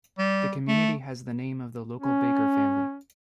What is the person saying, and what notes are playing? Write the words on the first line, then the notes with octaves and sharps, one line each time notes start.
The community has the name of the local Baker family.
G3
A3
C#4